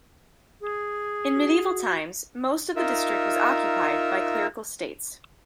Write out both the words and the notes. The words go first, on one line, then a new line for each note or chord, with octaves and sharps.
In medieval times most of the district was occupied by clerical states.
G#4
F#4
D#4 F4 A#4 E5